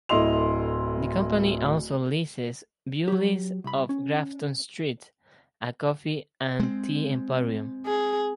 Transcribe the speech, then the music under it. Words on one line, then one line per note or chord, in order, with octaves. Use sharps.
The company also leases Bewley's of Grafton Street, a coffee and tea emporium.
D1 A3 E4 D#5 C6 F7
F#3 G4
C2 B5
C#4
G#3 C4
G#4